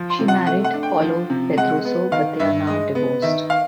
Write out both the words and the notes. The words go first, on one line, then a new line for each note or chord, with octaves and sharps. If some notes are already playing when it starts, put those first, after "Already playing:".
She married Paulo Pedroso but they are now divorced.
Already playing: F3
C6
C3
F#5
A3 F#5
F#5
D4
G5
F3
C3
G#3 F#5
B3
D#3 F5
G2 E5
G#3 D#5
B3
D#3 E5
F5